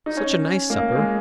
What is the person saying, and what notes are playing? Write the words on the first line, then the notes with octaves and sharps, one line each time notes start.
Such a nice supper!
D#4
C#4
A#3
G#3